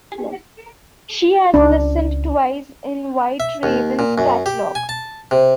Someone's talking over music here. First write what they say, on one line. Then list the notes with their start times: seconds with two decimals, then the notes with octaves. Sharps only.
She has listed twice in White Ravens catalogue.
1.54 C#2 D4
3.40 E5
3.63 D#2
3.99 A#2
4.18 F#2
4.46 G4
4.75 G#5
4.89 A5
5.31 C3